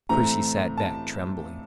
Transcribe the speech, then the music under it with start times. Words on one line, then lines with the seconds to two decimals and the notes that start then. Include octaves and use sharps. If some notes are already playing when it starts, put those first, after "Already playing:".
Percy sat back, trembling.
0.09 A2 E3 A3 C4 A#5
0.77 A5